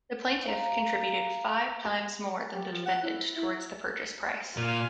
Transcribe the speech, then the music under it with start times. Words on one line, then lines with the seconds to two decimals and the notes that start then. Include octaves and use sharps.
The plaintiff contributed five times more than the defendant toward the purchase price.
0.44 F5 A#5
2.53 G4
2.72 F3
2.86 F#5
3.03 E4
3.36 E4
4.57 A#2 A#3 F4 F5 G#5